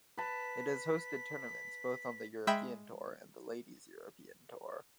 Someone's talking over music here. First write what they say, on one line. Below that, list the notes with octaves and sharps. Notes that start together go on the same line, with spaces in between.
It has hosted tournaments both on the European Tour and the Ladies European Tour.
B4 A5 B6
G#3 E5 G5 B5 B6